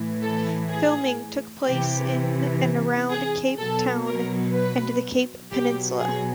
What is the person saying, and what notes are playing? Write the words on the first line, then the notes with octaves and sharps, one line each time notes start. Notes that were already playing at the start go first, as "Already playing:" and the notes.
Filming took place in and around Cape Town and the Cape Peninsula.
Already playing: A2 E3
A4
G#4
C3 E3 G4
G#4
B2 F#3 A4
A#4
B4
B2 F#3 G4
G#4